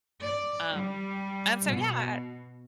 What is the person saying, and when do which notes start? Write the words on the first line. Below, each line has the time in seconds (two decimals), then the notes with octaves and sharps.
Um, and so, yeah, ah,
0.22 D5
0.72 G3
1.66 B2